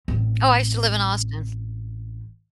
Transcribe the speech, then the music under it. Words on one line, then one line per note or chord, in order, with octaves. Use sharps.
Oh, I used to live in Austin.
A1 C4